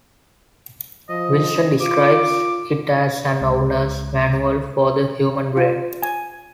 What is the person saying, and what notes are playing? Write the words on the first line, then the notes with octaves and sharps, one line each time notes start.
Wilson describes it as an "owner's manual for the human brain".
F3 D#5
F4 D6
C#2
F4
G#5